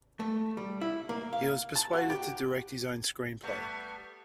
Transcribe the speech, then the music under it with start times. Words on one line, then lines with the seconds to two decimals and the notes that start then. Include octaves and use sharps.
He was persuaded to direct his own screenplay.
0.20 A3
0.57 G3
0.81 E4
1.09 A#3
1.33 F5
1.76 A5
1.93 F#4
2.10 G4
3.42 G3 A3 B3